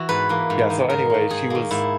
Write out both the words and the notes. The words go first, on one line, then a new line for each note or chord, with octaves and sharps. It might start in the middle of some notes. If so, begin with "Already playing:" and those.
Yeah, so anyway, she was
Already playing: E3 E4 F#4
G#2 B4
E3 A#3
G#2
D#3 A#3
G#2 A#4
D#3 A#3
G#2 G#4
D#3 A#3
G#2 E4